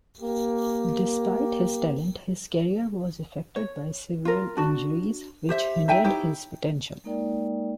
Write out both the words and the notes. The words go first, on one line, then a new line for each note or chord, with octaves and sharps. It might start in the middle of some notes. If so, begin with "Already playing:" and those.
Despite his talent, his career was affected by several injuries, which hindered his potential.
A#3 G4
C#5
F4 A#4
D4 F#4
G4 C5 E5
D#4 E5 G5 G#5
D#4 E4 G4 C#5
G#3 A#3 D#4 A#4 D5 G5